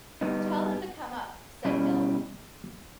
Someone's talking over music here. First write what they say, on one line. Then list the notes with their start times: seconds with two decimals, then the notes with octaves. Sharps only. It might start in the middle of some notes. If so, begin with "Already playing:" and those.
"Tell him to come up," said Hill.
0.21 G2 G3 B3 D#4
1.65 B2 G3 C#4 E4